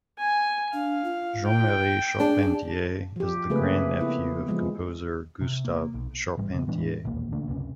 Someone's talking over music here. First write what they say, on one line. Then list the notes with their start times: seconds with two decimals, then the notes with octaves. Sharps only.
Jean-Marie Charpentier is the grand-nephew of composer Gustave Charpentier.
0.19 G#5
0.73 D4 F5
1.04 F4
1.47 G5
2.20 D4 G#4
3.16 F3 G4
3.50 C#3 A3 A#3 C4 G#4 B4
3.99 B3 E4
4.48 F3 G#3
5.41 C3
5.65 A#3
5.94 B1
6.37 A1 G#2 G3
6.54 C#3 B3
6.67 A2 E3 G#3 D4
7.05 E1 A#1 D#2 A#3
7.32 D3 A3 A#3 D4
7.48 C#2 F#2 C3 C#4